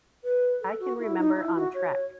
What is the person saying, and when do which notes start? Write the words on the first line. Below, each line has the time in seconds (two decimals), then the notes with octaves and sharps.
I can remember on Trek.
0.24 B4
0.61 A4
0.80 F#4
0.99 E4
1.17 D#4
1.36 E4
1.55 F#4
1.74 C#5